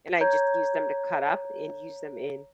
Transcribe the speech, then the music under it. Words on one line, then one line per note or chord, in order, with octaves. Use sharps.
and I just use them to cut up, and use them in
C#5 A#5 G6 G#6